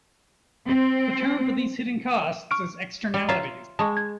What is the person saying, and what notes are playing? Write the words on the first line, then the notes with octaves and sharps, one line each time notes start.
The term for these hidden costs is "Externalities".
C4
C#6 F6 D7
G3
F4 C#5 E5 A#5
G#3 A5 C#6
G#6